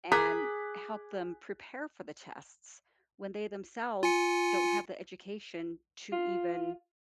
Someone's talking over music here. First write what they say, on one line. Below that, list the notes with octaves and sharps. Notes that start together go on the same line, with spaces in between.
and help them prepare for the tests, when they themselves don't have the education to even
G#4 A#4 D6 F#6 B6
F4 G#5 C#7
F4